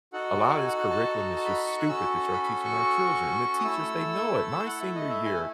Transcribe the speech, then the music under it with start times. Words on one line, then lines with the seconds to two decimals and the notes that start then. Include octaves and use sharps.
a lot of this curriculum is just stupid that you're teaching our children." And the teachers, they know it. My senior year,
0.13 D#4 F#4 A4 F#5
0.48 F#5
0.56 G#5
0.67 F#5
0.78 F#5
0.90 A5
1.36 A5
1.45 B5
1.67 C#6
1.80 F#6
1.88 C#4 F#4 A4 E6
2.33 B5
2.43 B5
2.65 C#6
3.59 D#6
3.64 A3 E4 A4 E6
4.51 E6
4.66 F#5
4.81 E5
4.95 D#5
5.10 E5
5.25 G#5